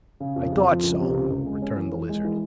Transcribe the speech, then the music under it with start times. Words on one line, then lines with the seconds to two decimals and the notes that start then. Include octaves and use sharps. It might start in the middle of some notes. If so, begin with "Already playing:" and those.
"I thought so," returned the Lizard.
0.20 C#3
0.36 F2
0.53 F2
0.68 F3
0.83 C#2
0.99 C3
1.14 C#2
1.30 C#2
1.46 G#3
1.62 C#4
1.77 E3
1.93 E3
2.09 G#3
2.25 E3